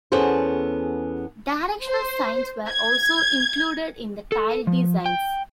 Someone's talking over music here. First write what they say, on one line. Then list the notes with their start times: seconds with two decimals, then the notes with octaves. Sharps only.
Directional signs were also included in the tile designs.
0.12 E2 B3 C#4 G#4 A4 C5
1.86 C5
2.70 G#6
4.32 A4
4.67 F3
5.06 G5